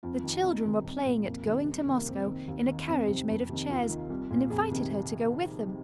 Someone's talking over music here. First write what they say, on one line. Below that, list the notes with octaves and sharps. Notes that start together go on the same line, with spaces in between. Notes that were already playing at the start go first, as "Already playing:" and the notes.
The children were playing at "going to Moscow" in a carriage made of chairs and invited her to go with them.
F2 F4
D#3
C2 D#4
C3 D#3
C2
A#2
F2 A#3
C3 D#3
C2
C3 D#3
A#3
F2 C4
D#3
D#2
D#3
F2 C4
C3 D#3
F2
C3 D#3
D#2 F4
D#3
C2
A#2
F2 G#4
C3 D#3